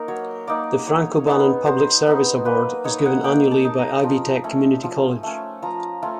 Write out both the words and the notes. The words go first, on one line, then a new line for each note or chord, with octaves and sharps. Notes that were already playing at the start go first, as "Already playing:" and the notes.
The Frank O'Bannon Public Service Award is given annually by Ivy Tech Community College.
Already playing: A#3 D#4 A#4
F#3 C#5
A#3 D#4 D5
F#3 C#5
B3 D#4
F#3 C5
B3 D#4
A#3 B4
D#4 C#5
F#5
A#3 G5
A5
D#4
A#5
F3
A3 C#4
F3
A3 C#4
F3 A#5
A3 C#4 F4